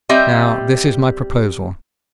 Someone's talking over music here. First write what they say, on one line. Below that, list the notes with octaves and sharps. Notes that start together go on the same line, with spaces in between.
Now, this is my proposal.
G3 C4 G4 D#5 E5